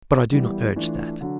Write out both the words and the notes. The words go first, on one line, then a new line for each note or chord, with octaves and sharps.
But I do not urge that.
E3 G3 B3 E4
E3 A3 D4 F4
D3 F#3